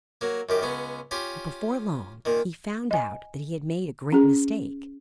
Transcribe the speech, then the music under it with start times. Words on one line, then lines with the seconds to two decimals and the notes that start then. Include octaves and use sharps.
But before long he found out that he had made a great mistake.
0.21 F#3 A#3
0.49 F#2 D#3 G4
0.63 C#2 B3 C#4
1.11 C#4 F4 G4
2.25 A#2 D#3
2.91 D#5 G#5
4.12 C#4 G#4